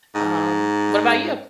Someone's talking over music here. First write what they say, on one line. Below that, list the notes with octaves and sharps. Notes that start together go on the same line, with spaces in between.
Um, what about you?
G#2